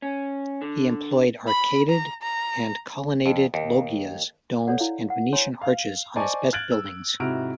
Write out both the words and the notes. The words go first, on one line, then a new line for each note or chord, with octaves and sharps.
He employed arcaded and colonnaded loggias, domes, and Venetian arches on his best buildings.
C#4
D3
B5
A#5
A#5
F2
D#2
A4 C#5 D5 F#5
E4 F5
F#5
C#5 G#5 A#5 C6
F5
C5 D5 D#5 G#5 A5 C#6
F6 F#6 G#6 A6 D7 F#7
E6
G#2 C3 E4 F#4 F6 D7